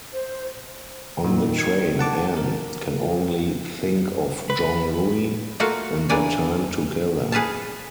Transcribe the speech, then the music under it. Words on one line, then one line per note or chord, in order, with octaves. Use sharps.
On the train Anne can only think of Jean-Louis and their time together.
C5
A#2 D#3
G#6
F#5 A5 D6
A#4
F3
B4
A3 A#3 F4 F#4 F5
E3 A#3 D4 D5 G#5
G#4 B4 F5 A5